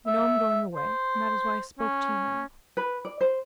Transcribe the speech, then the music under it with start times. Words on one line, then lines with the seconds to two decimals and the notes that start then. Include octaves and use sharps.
You know I'm going away, and that is why I spoke to you now.
0.07 E5
0.75 C5
1.79 C#4
2.77 B4
3.05 D5
3.21 C5